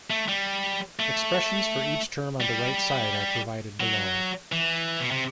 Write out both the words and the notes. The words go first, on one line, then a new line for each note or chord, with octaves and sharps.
Expressions for each term on the right side are provided below.
A3
G3
A3
G3
F#3
E3
B2
C3